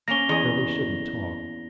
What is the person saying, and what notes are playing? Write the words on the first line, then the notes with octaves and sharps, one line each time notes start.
Though they shouldn't talk.
A#3 C#4 A#6 F7 G7
E2 D#5